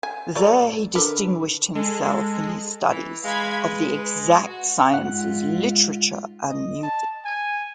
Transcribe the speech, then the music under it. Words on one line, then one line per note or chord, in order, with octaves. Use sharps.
There, he distinguished himself in his studies of the exact sciences, literature and music.
G#5
F#3 A3 D5
D3 A#4 B4
G#3 A4
E3
G#3 F5 B5 G#6
B4
F#4
G#2 F4 F#5
D#5
A5
G#5